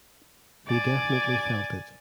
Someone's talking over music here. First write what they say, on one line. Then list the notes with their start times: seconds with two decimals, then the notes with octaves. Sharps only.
He definitely felt it.
0.68 D5 G#5